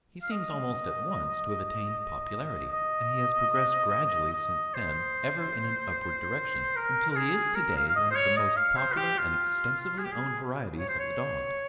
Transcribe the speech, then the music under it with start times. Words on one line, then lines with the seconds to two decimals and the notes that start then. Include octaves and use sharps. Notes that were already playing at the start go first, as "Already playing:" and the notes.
He seems almost at once to have attained popularity, and he has progressed gradually since then, ever in an upward direction, until he is to-day one of the most popular and extensively owned varieties of the dog.
0.22 F5
0.31 D#5
2.72 D#5
4.33 D#5
4.74 C5
6.76 A#4
7.11 A#4
7.16 G#4
7.55 A#4
7.76 F5
7.88 F5
7.96 D#5
8.11 C5
8.16 C#5
8.37 D#5
8.57 F5
8.77 C5
8.92 F4
8.97 G4
9.17 F4
9.98 G#4
10.04 G4
10.12 G#4
10.78 C#5
10.88 C5
10.99 C#5